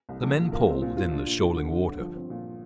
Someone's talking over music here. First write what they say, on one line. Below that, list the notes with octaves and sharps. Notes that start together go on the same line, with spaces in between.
The men poled in the shoaling water.
C2
A#1
A#2
A#3
C4
A#2
F4
D4
A#2
F4
D3
D3
G1
F3
C4
A#2